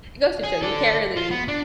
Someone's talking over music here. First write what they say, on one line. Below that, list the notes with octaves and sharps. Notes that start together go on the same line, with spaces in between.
it goes to show you can't really
G#4
A4 D5
F4
B3
D4